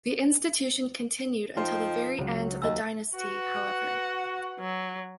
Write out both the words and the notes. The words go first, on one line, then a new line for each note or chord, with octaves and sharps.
The institution continued until the very end of the dynasty, however.
F2 F3 D#4 C5 D#5 G5
C#2 F#3
D#2 F#3 D#5 E6
F#4 B4 F#5
F#3